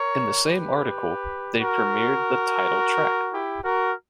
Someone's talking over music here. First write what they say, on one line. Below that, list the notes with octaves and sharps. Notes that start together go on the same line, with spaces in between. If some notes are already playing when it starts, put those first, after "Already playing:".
In the same article, they premiered the title track.
Already playing: A#4 C#5
G4 B4
F#4 A#4
E4 G4
F#4 A#4